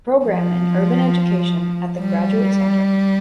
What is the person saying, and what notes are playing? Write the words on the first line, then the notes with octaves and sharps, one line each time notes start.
Program in Urban Education at The Graduate Center.
F3
G3